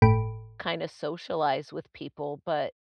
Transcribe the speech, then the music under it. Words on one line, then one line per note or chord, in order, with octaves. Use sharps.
kind of socialize with people, but
G1 A2 A4 G5 B5 D7